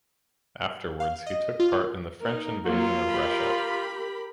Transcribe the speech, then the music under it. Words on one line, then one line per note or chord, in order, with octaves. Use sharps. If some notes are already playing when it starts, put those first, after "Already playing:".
Afterwards he took part in the French invasion of Russia.
F5
D#5
F4
A#3 D#4 A#4
F#3 A#3 F4
G4 A#4 B5